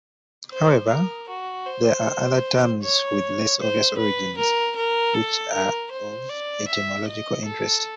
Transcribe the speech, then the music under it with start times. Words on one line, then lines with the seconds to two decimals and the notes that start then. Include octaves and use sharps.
However, there are other terms with less obvious origins, which are of etymological interest.
0.51 C5
0.90 A#4
1.29 F#4
1.67 C5
2.83 C#5
3.60 C5
3.98 B4
4.37 A#4
4.76 A#4
5.14 A4
5.53 A#4
5.92 C5
6.30 D5
6.68 E5
7.07 D#5
7.46 A4